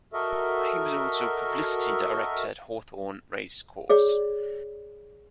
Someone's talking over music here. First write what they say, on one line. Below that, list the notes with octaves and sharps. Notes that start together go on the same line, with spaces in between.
He was also Publicity Director at Hawthorne Race Course.
F#4 A4 A#4 D#5 E5
G#4 C#5 D5